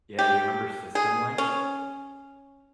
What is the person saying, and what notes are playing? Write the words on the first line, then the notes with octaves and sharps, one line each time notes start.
Yeah, you remember SystemLink?
G4
G#4
C#4